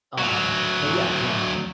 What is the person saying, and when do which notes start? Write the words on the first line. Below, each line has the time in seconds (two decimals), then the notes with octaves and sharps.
Um, but yeah, you know,
0.18 D2 F#3